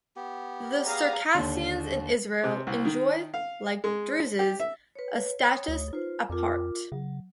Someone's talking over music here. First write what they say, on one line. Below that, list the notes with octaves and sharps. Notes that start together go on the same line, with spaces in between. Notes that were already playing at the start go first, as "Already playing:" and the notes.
The Circassians in Israel enjoy, like Druzes, a "status aparte".
B3 G4
G#4 F5 A#5
D#2 D3
C3
C2
D#3
F5
G#3
G4
E5
B4 C#5
C#5 D#6
D2
D#4 F4 B4 C5
F2 F4 A#4 D6
C#3 F#3